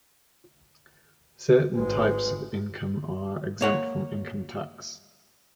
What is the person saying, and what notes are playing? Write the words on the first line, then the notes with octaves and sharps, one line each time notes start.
Certain types of income are exempt from income tax.
G#1 G#3 B4
A#3 C#5 F#5